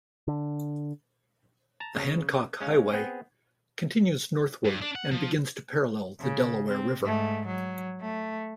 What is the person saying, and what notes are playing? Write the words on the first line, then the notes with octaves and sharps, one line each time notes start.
The Hancock Highway continues northward and begins to parallel the Delaware River.
D3
A5 A#5
C#3
G#3 C#4 F5
B3 C4 G#4
G2
D4
F#5
F3
C#3
C4
G#2 A3
F#3
A3